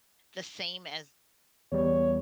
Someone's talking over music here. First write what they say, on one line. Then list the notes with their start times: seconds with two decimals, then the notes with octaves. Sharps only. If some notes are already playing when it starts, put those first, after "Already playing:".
the same as
1.72 E2 G3 C#5